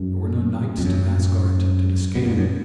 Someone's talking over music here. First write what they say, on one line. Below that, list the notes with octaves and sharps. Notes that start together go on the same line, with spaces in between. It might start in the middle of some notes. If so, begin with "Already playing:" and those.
There were no nights to mask our attempted escape.
Already playing: F#2
F2
F#2
B2
A#2
G#2
F#2